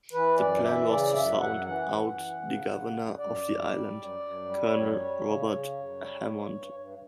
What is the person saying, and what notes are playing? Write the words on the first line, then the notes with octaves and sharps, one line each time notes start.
The plan was to sound out the governor of the island, Colonel Robert Hammond.
E3 B4
F#2 D5
E3 E5
C#3 D5
F#2 E5
F#2 F#5
E3 F#5
F#2
E3
C#3
C#3
F#2
F#2 D5
F#2
G3
F#2
F#2
G3
F#2 C#5
G3
C#3
C#3
F#2
G3
G2
G2
G2